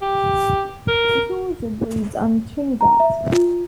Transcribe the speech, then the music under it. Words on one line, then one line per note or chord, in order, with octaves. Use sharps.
It also breeds on Trinidad.
G4
A#4
A#5
E5
F4